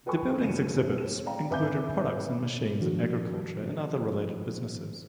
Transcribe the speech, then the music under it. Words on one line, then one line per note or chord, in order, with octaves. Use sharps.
The building's exhibits included products and machines in agriculture and other related businesses.
A4 B4 G5 G#5 B5 C#6
G1 C#2 F#3 C#7 D#7 E7
A2 G#3 E7
D5 F5 G5 A#5
G#1 B4 E5 G#5 D6 G6
D#3 F3 D4 F#4